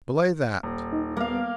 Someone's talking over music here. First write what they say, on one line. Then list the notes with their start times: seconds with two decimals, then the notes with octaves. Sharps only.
"Belay that!"
0.63 D#1
0.93 D#4
1.17 G3 A#3 B3 F5